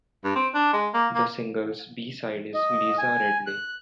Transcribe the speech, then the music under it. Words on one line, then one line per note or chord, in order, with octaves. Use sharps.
The single's B-side is "Liza Radley".
G2
C4
D4
G#3
A#3
A#3
D#5
G#5
F#6